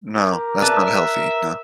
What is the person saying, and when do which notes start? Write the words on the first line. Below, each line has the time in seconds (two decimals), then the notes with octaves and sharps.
No, that's not healthy, no.
0.16 G4 A#4
0.62 B4 D5 E5 A5